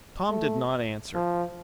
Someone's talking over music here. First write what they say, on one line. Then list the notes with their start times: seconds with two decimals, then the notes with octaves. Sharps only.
Tom did not answer.
0.30 A3
1.15 F3